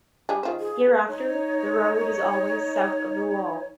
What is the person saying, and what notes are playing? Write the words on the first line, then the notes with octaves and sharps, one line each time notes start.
Hereafter the road is always south of the wall.
G3 D4 G#4
D#3 F4 C5
G#4
D#4 C#5